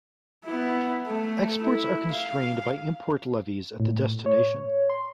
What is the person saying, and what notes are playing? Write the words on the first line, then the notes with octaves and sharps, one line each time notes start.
Exports are constrained by import levies at the destination.
B3 E4
A3
E4
F5
A2
C#5
C6